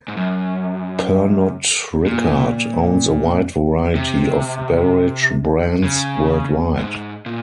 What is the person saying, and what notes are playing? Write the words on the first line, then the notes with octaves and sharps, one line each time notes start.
Pernod Ricard owns a wide variety of beverage brands worldwide.
G#2
F#2
A#2
C3
C#3
G#2
A#2